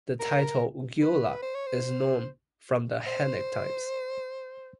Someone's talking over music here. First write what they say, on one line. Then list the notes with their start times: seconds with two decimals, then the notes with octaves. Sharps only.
The title "Gyula" is known from the Hunnic times.
0.20 A#4
1.02 B4
1.42 C5
1.54 C#5
1.66 C5
3.07 C5